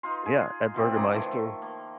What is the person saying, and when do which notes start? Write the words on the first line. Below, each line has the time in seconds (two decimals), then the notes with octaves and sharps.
yeah, a Bürgermeister.
0.03 D#4 F4 C6
0.26 G#4
0.74 B2 E3 C4
0.94 C#3 G#4 D5 A#5
1.15 D#3 F3 A3
1.62 A#3